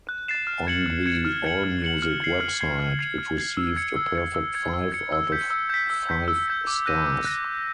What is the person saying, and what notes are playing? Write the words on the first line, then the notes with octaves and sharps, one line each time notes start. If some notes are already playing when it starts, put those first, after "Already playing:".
On the AllMusic website, it received a perfect five out of five stars.
F#6
A6 C7 E7
F6
G#6 C#7 F#7
F6
G#6 C#7 F#7
F6
G#6 C#7 F#7
F6
G#6 C#7 F#7
F6
G#6 C7
F6
G#6 C7
F6
G#6 C7
F6
G#6 C7
E6
G#6 C#7
E6
G#6 C#7
E6
G#6 C#7
E6
G#6 C#7
E6
G6 B6
E6
G6 B6
E6
G6 B6
E6
G6 B6
D6
F#6 A#6 D#7
D6
F#6 A#6 D#7
D6